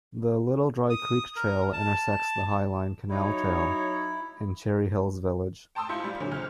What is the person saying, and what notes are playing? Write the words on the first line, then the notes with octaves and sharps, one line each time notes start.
The Little Dry Creek Trail intersects the Highline Canal Trail in Cherry Hills Village.
D#6
A#4
A5
F#3 D#4 E4 C#5
G5 A5 C6 D#6 E6
G#2 E4 F4 C6 G6 C#7
G3 F4
A#2 D3 E3 F#3
C#2 C5 F6